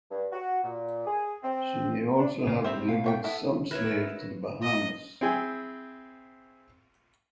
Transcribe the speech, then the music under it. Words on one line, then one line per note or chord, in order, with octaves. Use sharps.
She may also have delivered some slaves to the Bahamas.
G2
F#4
A#2
G#4
C4
D4
C#3 A#3
A2 G3 C4 C5 E5 A5
B2 F5
A3 C#5 G5
B3 E4 A4
F#3 E4 A#4 B4 C#5 F#6 A#6 E7
D#5
C4 E4 G#4 G5 G#5